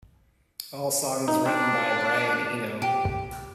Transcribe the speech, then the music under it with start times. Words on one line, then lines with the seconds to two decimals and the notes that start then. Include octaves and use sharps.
All songs written by Brian Eno.
1.28 D#4
1.46 C4 D4
2.82 G4